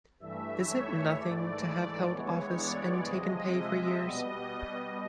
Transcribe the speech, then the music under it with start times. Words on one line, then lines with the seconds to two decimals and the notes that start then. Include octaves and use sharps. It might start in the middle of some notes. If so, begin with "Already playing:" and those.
Is it nothing to have held office and taken pay for years?
0.19 G2 E3 A3 E5
0.67 C#5
1.15 G#2 E3 A3 D5
2.10 G2 E3 G#3 B3 C#5
2.57 D5
3.05 C3 F3 G#3 D#5
3.53 E5
4.00 B2 G3 B3 D#5